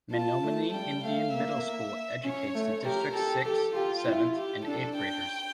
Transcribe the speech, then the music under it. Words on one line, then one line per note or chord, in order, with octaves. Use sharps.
Menominee Indian Middle School educates the District's sixth, seventh, and eighth graders.
F4 A5
A3
G3 G5
A3 F5
A#3 E5
C#4 C#5
A3
G4 A#4
G4 A4
G4 A4
F4 G4
E4
G4
D4 A4
G5